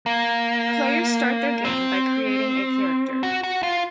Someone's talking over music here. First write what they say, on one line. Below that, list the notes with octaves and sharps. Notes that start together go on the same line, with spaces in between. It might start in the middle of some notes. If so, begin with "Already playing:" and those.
Players start their game by creating a character.
A#3
C4
F#4
F#4
F4